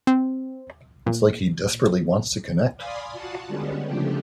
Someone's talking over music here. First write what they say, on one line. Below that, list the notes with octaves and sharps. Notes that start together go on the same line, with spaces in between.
It's like he desperately wants to connect.
C4
A#2
D5 F5 G#5 B5 C6 D#6
F4 F#4 F#5 A5
D3 G3 G#3 B3 C#4
C#3 F3 A3 D4 G4